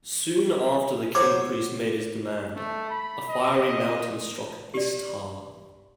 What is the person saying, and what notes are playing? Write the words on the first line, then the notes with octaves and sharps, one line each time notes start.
Soon after the Kingpriest made his demand, a "fiery mountain" struck Istar.
F#3 C5 C#5 D6
A3
B5
D#5
G4 D5